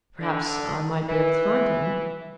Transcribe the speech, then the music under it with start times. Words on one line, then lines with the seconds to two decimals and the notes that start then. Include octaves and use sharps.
Perhaps I might be able to find him.'
0.21 D3
1.09 E3